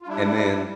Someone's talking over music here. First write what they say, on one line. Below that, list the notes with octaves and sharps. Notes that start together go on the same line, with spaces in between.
and then,
F4
G3 D4 E4
G3